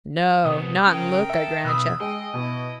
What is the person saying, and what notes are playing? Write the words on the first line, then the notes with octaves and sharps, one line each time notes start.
'No! not in look, I grant yo'.
C2 B3 D#6
C#3 C#4 A#4 G5
A4 E5
B1 B5 D#6 E6 F#6
G#3 D#5 G5
B2 E4